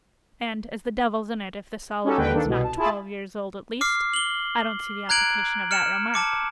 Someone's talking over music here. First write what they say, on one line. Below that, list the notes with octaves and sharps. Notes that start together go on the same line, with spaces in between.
'And, as the devil's in it if this Oliver is not twelve years old at least, I don't see the application of that remark.'
C#4 D#4 F#4 G4 A4
D#2 D3 B4 G5
D#3 A#3 D4 A4
C2 B2
A5
E4 F4 G#4 A5 B5
D6 F6 C7
F#7 G7
A#5 F#6 G#6 D7 F#7
F6 C#7 E7
A5 D6 C#7